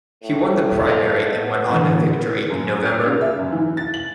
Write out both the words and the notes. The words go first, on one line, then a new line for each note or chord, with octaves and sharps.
He won the primary and went on to victory in November.
A2
A4 D#5 F5
B3
A2 D3 E3
F#2
F6
C#3
E5
F#2
E3
A6
F#7